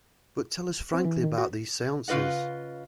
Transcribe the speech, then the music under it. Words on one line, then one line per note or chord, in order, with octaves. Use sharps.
But tell us frankly about these seances.
C4
E3
D#3
F#4
C#3 F4 B4 D#5 F#5